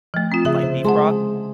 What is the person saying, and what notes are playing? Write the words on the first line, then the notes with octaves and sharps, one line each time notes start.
like, beef broth.
F3 A3
C4 F4
C#3 G#4 E5 D#6
C3 C5
G#3 G#4 F#5 A5 C6